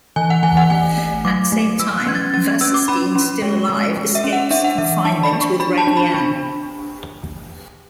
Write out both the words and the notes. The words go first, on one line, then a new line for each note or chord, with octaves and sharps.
At the same time, Wasserstein, still alive, escapes confinement with Raggy Ann.
E3 G#5
F#5
E3 G#5
F#5
A3 G#5
A3
F#3 D6
A3
F#3 E6
F#6
C#4 G#6
A6
C#4 A6
G#6
C#4 E6
D6
C#4 B5
C#4
G#3
G#3
G#3
E5
C#4
F#5
D4 E5
F#5
E3 E5
D4 A5
B5
D4
C#6
D4 B5
A5
D4
B5
D4